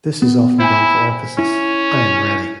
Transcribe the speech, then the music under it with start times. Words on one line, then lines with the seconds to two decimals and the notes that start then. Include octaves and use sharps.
This is often done for emphasis: I am ready!
0.22 B3
0.60 E4 C5 G5 G#5
1.39 C#4 E4